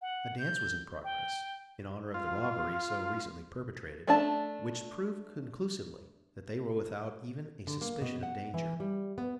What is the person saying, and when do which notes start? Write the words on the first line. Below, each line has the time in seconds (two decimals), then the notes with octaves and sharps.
A dance was in progress in honor of the robbery so recently perpetrated, which proved conclusively, that they were without even a suspicion of danger.
0.02 F#5
0.38 G6
1.04 G5
2.14 F4
4.07 A3 D4 A5
7.67 D3
7.82 A#3
8.01 B2
8.23 F#5
8.54 E3
8.80 G3
9.18 B3